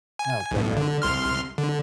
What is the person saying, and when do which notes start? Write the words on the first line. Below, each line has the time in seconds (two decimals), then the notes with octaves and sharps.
Oh goodness.
0.19 G#5
0.51 B1 A2
0.77 D3
1.02 C2 C6 F6
1.58 D3